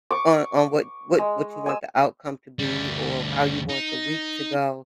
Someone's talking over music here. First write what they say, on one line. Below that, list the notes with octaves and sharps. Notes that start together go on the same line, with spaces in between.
on on what what what you want the outcome to be or how you want the week to go,
C#6 D6
G#3
G#5 E6
D2 G3
D#4